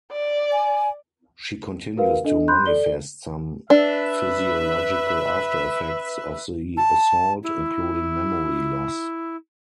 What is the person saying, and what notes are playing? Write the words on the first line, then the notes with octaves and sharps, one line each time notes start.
She continues to manifest some physiological after-effects of the assault, including memory loss.
D5
G#5
F#4 A#4 B4 F5
D4 A4 D#5
B5 C6 F#6 G6
A4 D5 G7
D4 B4 E5
A5
E4